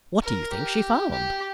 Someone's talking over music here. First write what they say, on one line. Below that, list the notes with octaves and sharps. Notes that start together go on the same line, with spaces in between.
"What do you think she found?"
A#4
G4
G4